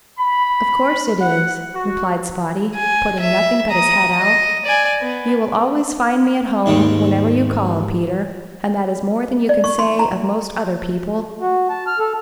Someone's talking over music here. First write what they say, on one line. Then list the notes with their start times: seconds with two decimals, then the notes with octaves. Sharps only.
"Of course it is," replied Spotty, putting nothing but his head out, "You will always find me at home whenever you call, Peter, and that is more than you can say of most other people."
0.19 B5
1.21 F#5
1.74 F#4
2.75 G#5
3.20 E5
3.70 A#5 D#6
4.18 D#5
4.65 D5 G#5
5.02 B3
6.66 D#2 G#2 D#3
9.49 D5
9.64 C#6
9.79 C6
9.99 A#5
11.41 F#4
11.69 A5
11.87 F6
11.99 A4